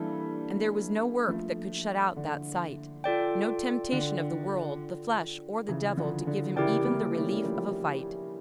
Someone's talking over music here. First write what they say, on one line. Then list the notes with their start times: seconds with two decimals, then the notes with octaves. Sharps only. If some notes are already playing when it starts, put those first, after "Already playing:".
And there was no work that could shut out that sight--no temptation of the world, the flesh, or the devil to give him even the relief of a fight.
Already playing: E3 G3 A#3 D4 A4
1.28 F3 A3
2.16 D3
3.04 F4 A4 D5 G5
3.92 D3
5.68 C#3 E3
5.97 D3 F3
6.27 D3
6.56 C#3 E3 E4 G4 A#4 D5 G5
6.85 G3 A#3
7.15 A3 C#4
7.44 F3 A3